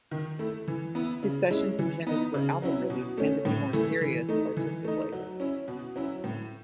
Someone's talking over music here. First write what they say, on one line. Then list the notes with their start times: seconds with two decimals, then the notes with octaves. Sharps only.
His sessions intended for album release tend to be more serious, artistically.
0.11 D#3
0.39 A3 E4
0.68 E3
0.95 B3 E4
1.23 C#3
1.51 G#3 C#4 E4
1.79 E3
2.07 B3 D#4
2.34 C#3
2.62 F#3 C#4 E4
2.90 B2
3.18 A3 C#4
3.45 A2
3.73 E3 A3 E4
4.01 E3
4.29 A3 D#4
4.57 E3
4.84 A3 D#4
5.12 F#3
5.40 C#4 E4
5.68 B2
5.96 F#3 C#4 E4
6.24 A2